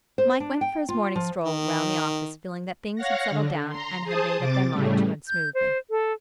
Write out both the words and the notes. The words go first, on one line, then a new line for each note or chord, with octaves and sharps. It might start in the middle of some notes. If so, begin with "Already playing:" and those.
Mike went for his morning stroll round the office feeling that things had settled down and had made up their mind to run smoothly.
C5
D4
G5
F4
F3
D#3
C#5 F5 F#5 A#6
D3
A#5 C6
G#4 C5 A5 D#6
C3 D6 A6
A2 C#3 G3 A3
G6
C5
A4